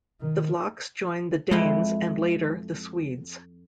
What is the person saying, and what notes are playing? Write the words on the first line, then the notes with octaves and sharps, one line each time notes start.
The Vlachs joined the Danes, and later, the Swedes.
D#3
F2 G#3 E4 D#5